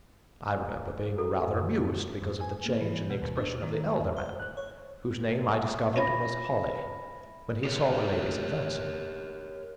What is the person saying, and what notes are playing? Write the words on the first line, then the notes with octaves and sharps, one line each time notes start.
I remember being rather amused because of the change in the expression of the elder man, whose name I discovered was Holly, when he saw the ladies advancing.
E4 F#4 A4
F#2
F#2
G#5
A#3
E3
B2
D#2
D4
D#3
E2
C5
F#6
C#5
C#4 F4 E5 G#5 B5 A#6
G4 A#4 C#5